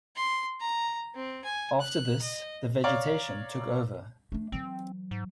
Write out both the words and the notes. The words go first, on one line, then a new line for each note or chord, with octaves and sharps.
After this, the vegetation took over.
C6
A#5
C4
G#5
F#6
D#5
C#5 D5 F5 A#5 F6
A3 D4
E3 F#3 C4
G#2